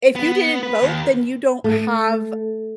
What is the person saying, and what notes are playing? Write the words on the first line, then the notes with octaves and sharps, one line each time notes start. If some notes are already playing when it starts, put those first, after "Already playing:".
If you didn't vote, then you don't have"
B3
B4
D#2
A3